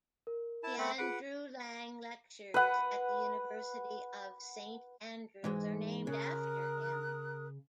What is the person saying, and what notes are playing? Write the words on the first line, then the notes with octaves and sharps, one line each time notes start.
The Andrew Lang lectures at the University of Saint Andrews are named after him.
A#4
E4 A5
A3 C4 B5
F4 G#4 B4 F#5 D7
B4 F#5
G#2 E3 G#3
C#3 A#4 D#6 F#6